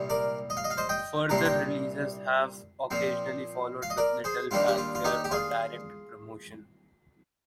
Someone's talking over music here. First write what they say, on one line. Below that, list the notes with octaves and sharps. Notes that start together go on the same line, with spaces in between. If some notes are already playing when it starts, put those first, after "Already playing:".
Further releases have occasionally followed, with little fanfare or direct promotion.
Already playing: C2 A#2 G3
A#4 D5
D#5
F5
D#5
F5
C5 D#5
D#5 G5
C2 A#2 G3 D4 A#5
C6
G5 A#5
A#2 F3 C4
F5
D#5
A#4 D5
G#4 C5
D#2 D#3 G3 A#3 D4 F4
G4
F4
F4
D#4 G4
G4
F4 G#4